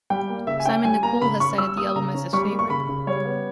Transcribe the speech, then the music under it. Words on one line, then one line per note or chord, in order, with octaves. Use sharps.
Simon Nicol has cited the album as his favourite.
G3 G5
A#3
C#3 E5
G#5
C#4 G5
G3 G#5
A#3 A#5
C#3 B5
C#4 C#6
G3 E6
A#3 D#6
C#3 A#5
C#4
G3 C#6
A#3
C#6
C#3 B5
C#3
G3 C#5
B3